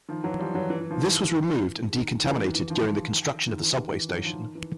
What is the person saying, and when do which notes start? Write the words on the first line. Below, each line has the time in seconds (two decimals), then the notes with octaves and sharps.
This was removed and decontaminated during the construction of the subway station.
0.08 D#3 F3
0.24 E3 F#3
0.39 F3 G3
0.55 E3 F#3
0.70 E3
0.81 E3
0.90 D#3 F3
1.01 E3
1.93 D#3
2.24 E3
2.39 D#3
2.55 E3
2.70 D#3 F3
3.48 D#3
3.63 E3
3.78 D#3
3.93 E3
4.09 E3 F#3
4.25 D#3 F3
4.40 D#3
4.55 E3